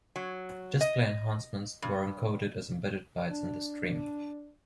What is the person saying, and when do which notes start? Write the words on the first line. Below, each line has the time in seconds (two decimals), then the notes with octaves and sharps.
Display enhancements were encoded as embedded bytes in the stream.
0.16 F#3
0.81 D#5
1.82 G2
3.30 D4